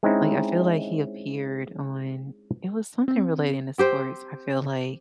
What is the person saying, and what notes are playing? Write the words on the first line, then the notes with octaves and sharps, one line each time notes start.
Like, I feel like, he appeared on it was something relating to sports, I feel like
G#3 C4 C#4 D#4 E4
C4
C4 G4 C5